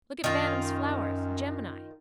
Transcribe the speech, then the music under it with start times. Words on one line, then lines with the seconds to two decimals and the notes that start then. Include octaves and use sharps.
Look at Bantam's flowers. Gemini.
0.24 F#2 D#3 F4